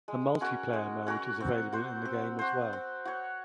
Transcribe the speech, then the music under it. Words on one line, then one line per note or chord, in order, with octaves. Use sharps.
A multiplayer mode is available in the game as well.
G#3
C#4 F#4 A#4
G#3
C#4 F#4 A#4
C4
F#4 C5
C4
F#4 C5
C4
F#4 C#5